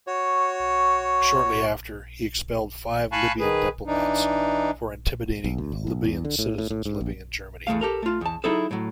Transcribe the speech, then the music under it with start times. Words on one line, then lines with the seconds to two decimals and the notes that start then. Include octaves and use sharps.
Shortly after, he expelled five Libyan diplomats for intimidating Libyan citizens living in Germany.
0.07 F#4 C#5
3.12 F5 G#5 A5 B5 C#6 F#6
3.40 D#3 G#4 B4
3.87 E3 D4 D#4
5.44 B1
5.58 D2
5.72 G#1
5.87 B1
6.04 E2
6.25 D3
6.39 A2
6.58 A2
6.70 A2
6.86 G#2
7.01 A#1
7.67 E2 F#3 A3 F5
7.81 G4 A4 A#4
8.03 A3 F4
8.21 E2 A5
8.44 F#3 D#4 E4 G#4 A4
8.71 A2 F#3